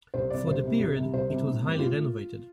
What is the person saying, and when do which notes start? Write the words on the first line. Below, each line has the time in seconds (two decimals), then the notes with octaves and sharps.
For the period it was highly renovated.
0.14 C2 C5
0.30 C3 G3 D5
0.47 C2 C5
0.64 C3 G3
0.80 C2
0.96 C3 G3
1.13 C2 C5
1.30 C3 G3
1.46 A2
1.63 G3 C4
1.74 G4
1.79 A2 F4